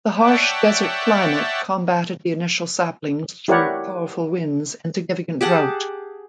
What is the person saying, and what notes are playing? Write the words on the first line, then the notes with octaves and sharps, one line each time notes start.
The harsh desert climate combated the initial saplings through powerful winds and significant drought.
C#5 D5 E5 F#5 G5 A5
E4 G4 A#4 C#5 D5 F#5
G4 G#4 F#5 A5